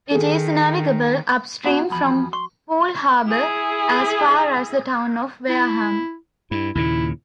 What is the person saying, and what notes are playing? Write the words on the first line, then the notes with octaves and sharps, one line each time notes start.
It is navigable upstream from Poole Harbour as far as the town of Wareham.
D#3 G#4 A4
B3 C#4 F#4 F#5 A#5
E2 F3 B5
C6 C#6
E4 G#4
E4
G2 E4
D#2 A#2 C#3 E4